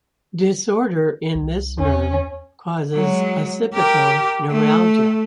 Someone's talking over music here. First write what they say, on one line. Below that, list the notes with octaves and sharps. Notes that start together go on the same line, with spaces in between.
Disorder in this nerve causes occipital neuralgia.
C2
E2 C#4
F#3 G#3
G4 A#4
A3